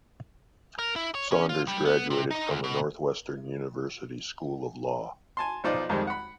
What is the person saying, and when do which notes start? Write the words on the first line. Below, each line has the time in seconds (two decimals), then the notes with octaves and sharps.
Saunders graduated from the Northwestern University School of Law.
0.79 A#4
0.96 E4
1.15 C#5
1.32 C#4
1.49 F4
1.68 G3
1.85 B3
2.10 C3
2.31 D#4
2.50 D2
2.64 B2
5.37 G#5 A5 C6
5.64 B1 F3 D#4 F4 C5 D5
5.89 F2 D#3 G3 G#3 C4
6.07 F#5 B5